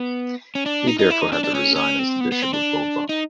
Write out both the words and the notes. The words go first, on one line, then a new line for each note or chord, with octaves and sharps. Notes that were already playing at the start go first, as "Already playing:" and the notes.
He therefore had to resign as bishop of Bova.
Already playing: B3
C#4
D4
D#4
D#4
E4
D#4
D4
D4
C#4
C#4
C4
B3
B3
C4
D4
D#4